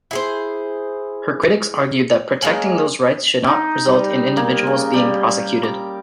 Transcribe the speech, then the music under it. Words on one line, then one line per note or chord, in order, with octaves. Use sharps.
Her critics argued that protecting those rights should not result in individuals being prosecuted.
E4 G#4 C5
G#3 A#3 C#4
D#4
G3
A#3
C#3
G3
D6